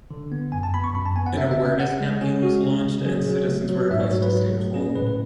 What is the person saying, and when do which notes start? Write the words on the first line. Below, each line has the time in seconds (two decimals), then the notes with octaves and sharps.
An awareness campaign was launched and citizens were advised to stay home.
0.11 D3
0.32 B3
0.52 F#2 G#5
0.63 A5
0.74 B3 B5
0.84 C#6
0.94 F#2 B5
1.06 A5
1.16 B3 G#5
1.26 F#5
1.37 C#3 E5
1.51 E5
1.58 C#4
1.65 E5
1.79 C#3 F#5
2.00 G#3
2.21 C#4 G#4
2.43 G#3 F#4
2.64 C#4
2.85 C#3
3.06 F#3 G#4
3.28 F#3
3.48 A3
3.69 F#3
3.90 G#2 E5
4.01 C#5
4.11 F#3 C#5
4.22 B4
4.32 F#3
4.53 A3
4.74 C#4 G#4
4.95 A2 B4
5.07 B4